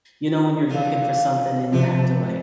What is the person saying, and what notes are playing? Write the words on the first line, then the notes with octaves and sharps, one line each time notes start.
you know, when you're looking for something and you have to like
E3 F3 F4
C3 F3 A3 C4 D4 G4